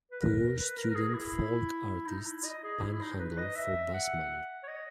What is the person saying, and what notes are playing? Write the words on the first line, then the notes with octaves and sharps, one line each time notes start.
Poor student folk artists panhandle for bus money.
B4
A#4
B4
A#4
A#4
G#4
E4
D#4
E4
D#5
G#4
E4
D#4
B4
D#5
E5
F#5
C#5
D#5